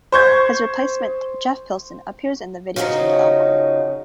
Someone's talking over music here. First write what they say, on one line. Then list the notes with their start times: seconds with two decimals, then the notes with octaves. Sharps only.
His replacement, Jeff Pilson, appears in the videos from the album.
0.12 C5 C#6 G6 G#6
2.76 C#3 F3 F#3 C#4 D#4